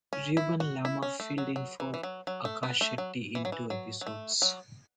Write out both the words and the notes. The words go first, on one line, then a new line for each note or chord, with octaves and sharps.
Reuben Lama filled in for Akash Shetty in two episodes.
C#4
E4
F#4
E4
C#4
A3
F#3
F#3
E3
E3
F#3
F#3
A3
B3
A3
F#3
E3
F#3
E3
F#3
F#3
A3
F#3